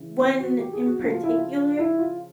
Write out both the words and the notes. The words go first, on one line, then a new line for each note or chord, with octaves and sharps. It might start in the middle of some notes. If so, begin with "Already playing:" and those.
one in particular,
Already playing: C#3 E3
C5
F#4
G4
G#4
F#4
C#3 F3 F#4
F4
E4
F4
E4
F4